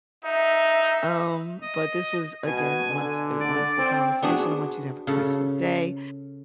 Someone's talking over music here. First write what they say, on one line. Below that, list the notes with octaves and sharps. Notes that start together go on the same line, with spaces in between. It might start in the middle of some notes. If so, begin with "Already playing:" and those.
Um, but this was, again, once, a wonderful conversation. I want you to have a peaceful day,
D#4 E5
D#5
B2 G#5
D3
D5
C4
B3 D4 F#4 G#4
C#3 A4